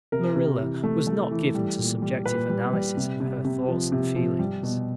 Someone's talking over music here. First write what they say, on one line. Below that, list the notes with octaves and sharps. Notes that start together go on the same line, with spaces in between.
Marilla was not given to subjective analysis of her thoughts and feelings.
C3 A#4
C3
E3
A3
A3
E3
G3
A#2
G3
A#2 B4
G3
G3
C3
C3
C3
F3
C3
F3
G3
B2